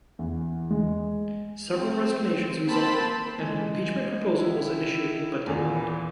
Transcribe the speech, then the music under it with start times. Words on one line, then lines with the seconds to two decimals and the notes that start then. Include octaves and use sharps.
Several resignations resulted, and an impeachment proposal was initiated but denied.
0.19 E2
0.71 G#3
1.74 C4
2.66 A#3 C4 A5 B5 C6
3.39 E3 G#3
4.39 D#3 E4
5.46 E2 A#2 D#3
5.72 E3